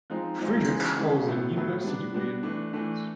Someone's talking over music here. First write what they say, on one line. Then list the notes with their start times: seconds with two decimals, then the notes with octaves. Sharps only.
Friedrich holds a University degree in Economics.
0.10 F3 G#3 C4 D#4
0.38 F3 G#3 C4 D#4
0.68 C#3 E3 G#3
0.97 C#3 E3 G#3
1.26 A2 F#3 B3 E4 A4
1.56 A2 F#3 B3 E4 A4
1.84 G3 B3 D4
2.14 G3 B3 D4
2.43 E3 A3 D4
2.73 E3 A3 D4